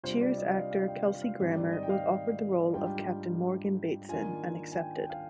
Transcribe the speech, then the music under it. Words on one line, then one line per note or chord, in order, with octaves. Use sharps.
"Cheers" actor Kelsey Grammer was offered the role of Captain Morgan Bateson and accepted.
C3 G3 D4 F4 C5
D5
D#5
F5
F5
G5
F5
F5
G#2 D#3 G3 C4 D#4
D5
D#5
G5
F5
G#2 G3 D4 F4 G5
D#3 A#3 D4 F4 G#5
G#5
G5
G5
F5